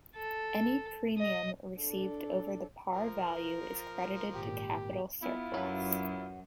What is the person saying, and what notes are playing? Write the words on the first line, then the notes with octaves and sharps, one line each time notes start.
Any premium received over the par value is credited to capital surplus.
A4
D#5
D4 A4
F3 A#4
G#1 A#2 G4
B3 E4 F4
F#2 F#3 B4